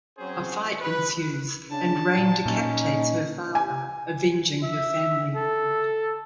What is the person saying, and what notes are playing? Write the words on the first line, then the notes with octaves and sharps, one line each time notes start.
A fight ensues and Rayne decapitates her father, avenging her family.
F#3 C4 C#4 G#4 C5
B4
C#3 D4 A5
A#2 F3
A#2 C#4 D#4
G#5
E5
A4